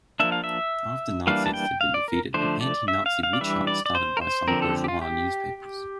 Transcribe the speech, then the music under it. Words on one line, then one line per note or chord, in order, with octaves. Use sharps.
After Nazis been defeated, an anti-Nazi witch-hunt started by some bourgeois newspapers.
F3 A#3 D4 E5
F5
E5
E3 G3 A#3 D4 F5
A5
G5
F5
D5
A#4
D3 F3 A3 D4 C5
D5
E5
F5
F5
D5
E3 G3 D4 E5
D5
D5
C5
A#4
C5
D3 F3 C4 A#4
A4
G4
F4
G4